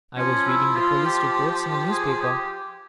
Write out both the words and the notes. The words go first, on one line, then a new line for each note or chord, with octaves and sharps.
I was reading the police reports in a newspaper.
F3 C#4
E4
F4
G4
G4
G#4
G4